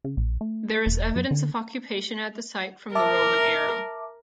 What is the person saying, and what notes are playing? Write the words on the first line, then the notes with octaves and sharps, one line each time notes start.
There is evidence of occupation at the site from the Roman era.
C#3
A#1
A3
E1
F#2
D3
A#4 E5 A5 D6